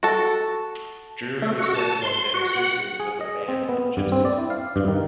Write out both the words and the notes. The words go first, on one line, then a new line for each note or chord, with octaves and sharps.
Drury was said to have been associated with a band of gypsies.
F#4 A4
A3
F#4
A5
C6
F#4
F#5
G#4
D#5
C4
B3
G2
C4
D5
E4
F5
G2
D#3